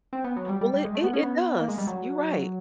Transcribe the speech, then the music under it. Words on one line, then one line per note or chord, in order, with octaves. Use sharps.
Well, it it does, you're right.
C4
B3
F#3
G3
G3
G3
G#3
A3
B3
C#4
B3
A#3
G#3
G3
F#3